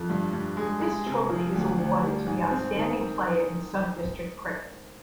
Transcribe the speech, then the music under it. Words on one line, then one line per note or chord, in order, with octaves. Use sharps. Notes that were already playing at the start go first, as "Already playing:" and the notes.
This trophy is awarded to the outstanding player in Sub-District cricket.
Already playing: F2
G2
G2
G#3
G#3
C3
F3
D2
D2
G3
G#2
C4
D#3